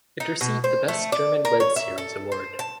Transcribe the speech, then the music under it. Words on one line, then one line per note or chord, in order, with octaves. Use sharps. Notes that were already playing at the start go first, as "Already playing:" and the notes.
It received the Best German Web Series award.
D#4
B2
C5
A3
D5
A#4
C#5
E5
A4
C5
A5